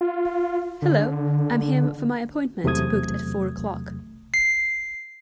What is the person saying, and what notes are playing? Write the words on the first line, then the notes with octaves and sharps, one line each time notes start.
Hello, I am here for my appointment booked at four o'clock.
F4
D3
E2 C3 F#3 A3 D#6 G#6
C7